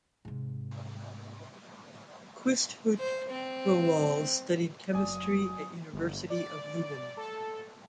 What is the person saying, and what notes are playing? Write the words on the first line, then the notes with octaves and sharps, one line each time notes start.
Quisthoudt-Rowohl studied Chemistry at University of Leuven.
G#2 C3
C5
C4
F#1 F#3 D5 G#5 D#6
G1
D5
A4